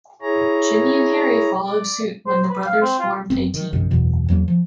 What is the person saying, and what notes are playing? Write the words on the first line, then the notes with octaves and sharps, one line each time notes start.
Jimmy and Harry followed suit when the brothers formed a team.
E4 G#4 C#5 A#5
D5
C5
B4
F5
C4
F4
F#1 B3 C4
D#3
A#1 F#2 C3 D#3
F#1 E2 B2 E3
E2 F#3 A#3
F3